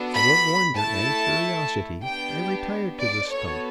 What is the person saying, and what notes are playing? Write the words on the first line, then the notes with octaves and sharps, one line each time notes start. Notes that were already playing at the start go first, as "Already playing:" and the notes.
Full of wonder and curiosity, I retired to the stump.
Already playing: B3 D4 F#4 A4
B5
A3 E4 A4 A5
B3 D4 G4 G5
D5
B3 F#4 A4 C#5